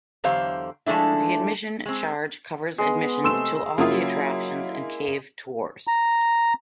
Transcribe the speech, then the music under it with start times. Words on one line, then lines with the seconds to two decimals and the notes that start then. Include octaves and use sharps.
The admission charge covers admission to all the attractions and cave tours.
0.24 E2 D3 F#3 G4 C5 F5
0.86 F3 G#3 A3 D4 E4
1.86 G#3 C4
2.78 G#3 B3
3.24 C3 A3 C6 E6 E7
3.78 C#3 F#3 A#3 E4 F4 D#6
5.87 A#5